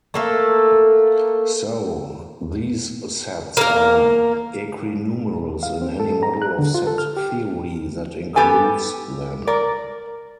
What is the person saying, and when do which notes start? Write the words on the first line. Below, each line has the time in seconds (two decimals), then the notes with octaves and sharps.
So these sets are equinumerous in any model of set theory that includes them.
0.14 A3 A#3 A4
3.57 A#3 A#4
5.63 F5
5.82 C4
6.00 A4
6.23 A#5
6.42 F#6
6.59 D3
6.74 F4
6.87 A4
6.98 F6
7.17 G4
8.36 B3 G4 A4 G#5
9.47 A#4 D5